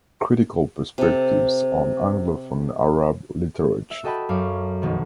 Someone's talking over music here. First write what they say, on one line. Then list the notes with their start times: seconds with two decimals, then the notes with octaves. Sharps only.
Critical Perspectives on Anglophone Arab Literature.
0.98 C3 A4
3.91 E5
4.04 F#4 A4 D#5 G5 A5 B5
4.29 F#2 C#5 F5 D6
4.82 F1 B1 D#3 B3